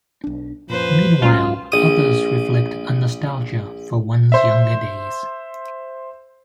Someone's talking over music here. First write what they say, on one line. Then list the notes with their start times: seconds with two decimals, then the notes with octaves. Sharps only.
Meanwhile, others reflect a nostalgia for one's younger days.
0.24 B1 D4
0.70 F#2 A#2 F3 B4 C5
1.22 C2 F#2 G#3 C#4 F4
1.72 A#1 D#6
4.32 C5 E5